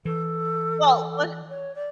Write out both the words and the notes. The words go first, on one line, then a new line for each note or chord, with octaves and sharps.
Well, what
E3 A4
C#5
D5